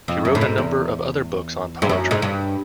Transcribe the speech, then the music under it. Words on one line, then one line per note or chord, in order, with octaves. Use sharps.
He wrote a number of other books on poetry.
F2
F#2
A2
G#2
E2
G2
F#2
G#2
G2